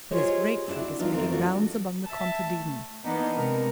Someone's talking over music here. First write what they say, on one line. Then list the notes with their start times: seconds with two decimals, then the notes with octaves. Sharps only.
But his great trick is making rounds among the contadini.
0.11 F4 G4 G#4 C5 C#5 D#5
0.68 C4 D4 E4 F#4
0.99 F3 G3 B3 C4 D#4 F4
1.14 F2 D#3 A3 C4
1.32 D4 F4 F#4
2.06 E5 A5
2.43 A3
3.03 E3 A#3 B3 D4 D#4
3.32 C3 G#3 A#4